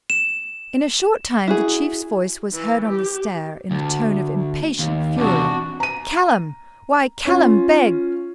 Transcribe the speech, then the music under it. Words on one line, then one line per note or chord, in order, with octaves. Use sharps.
In a short time the Chief's voice was heard on the stair in a tone of impatient fury: 'Callum! why, Callum Beg!
E7
E4 F#4 G#4
E3
G4
D2
D#2
E2 C3 D4 F#4
A#5 D#7
C#4 F4